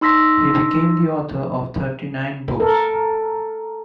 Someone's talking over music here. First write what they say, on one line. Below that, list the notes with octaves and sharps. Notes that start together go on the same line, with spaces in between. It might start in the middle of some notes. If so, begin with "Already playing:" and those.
He became the author of thirty-nine books.
D#4 C6 E6 A#6 B6
A4 A#4